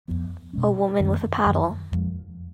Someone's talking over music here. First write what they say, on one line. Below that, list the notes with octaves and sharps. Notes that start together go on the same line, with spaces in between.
A woman with a paddle.
F2 F3 B3
B2 G#3 C#4
F#2 D#3 G#3 C#4
F#2 D#3 F#3
F2 F3 G#3